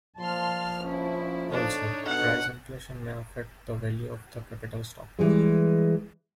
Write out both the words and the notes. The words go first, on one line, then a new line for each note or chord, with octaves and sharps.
Also, price inflation may affect the value of the capital stock.
A#2 F3 A5 C6 F6
G1 C#4 E4
D4 D#4 A4 C#5
B2 D4 F#5
E3 G3 G#3